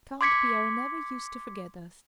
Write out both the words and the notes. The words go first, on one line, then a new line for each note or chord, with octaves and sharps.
Count Pierre never used to forget us.
C6 D6 G#6 B6 C#7